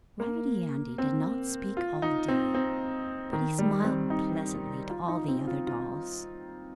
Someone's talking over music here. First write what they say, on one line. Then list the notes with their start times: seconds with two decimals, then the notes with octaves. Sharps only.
Raggedy Andy did not speak all day, but he smiled pleasantly to all the other dolls.
0.20 A#3
0.98 C4
1.77 F4
2.02 D#4
2.28 C4
2.55 C4
3.33 D#3
3.59 G3
3.84 C4
4.10 D#4
4.90 F4
5.08 D#4
5.28 C4
5.48 F4
5.67 F4